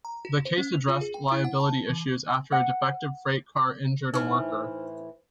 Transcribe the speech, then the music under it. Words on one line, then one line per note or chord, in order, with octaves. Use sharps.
The case addressed liability issues after a defective freight car injured a worker.
A#5
F#4
C5
C#4
F7
F4
G#4
G5
E4
F#5
A5
E3
F#5
A2 E3 D#4 C5 F6